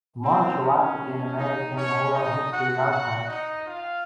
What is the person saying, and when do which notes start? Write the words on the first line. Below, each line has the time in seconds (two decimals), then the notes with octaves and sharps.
Marshall African American Oral History Archive.
0.24 C4
0.62 C#4
1.37 D#4
1.76 C#4 C#5
2.13 D#4 D#5
2.52 F#4 F#5
2.90 F#4 F#5
3.28 D#4 D#5
3.66 F4 F5